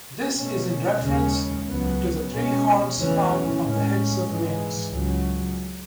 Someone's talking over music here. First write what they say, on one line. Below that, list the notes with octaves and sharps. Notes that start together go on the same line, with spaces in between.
This is in reference to the three horns found on the heads of males.
B2 A3 C#4
D#2 C#3 G#3 C#4
C#2 C#3 F#3 B3
B2 G#3 C#4
E2 C#3 E3 A3 C#4
A2 G#3 C#4
G#2 E3 G#3
C#2 C#3 F#3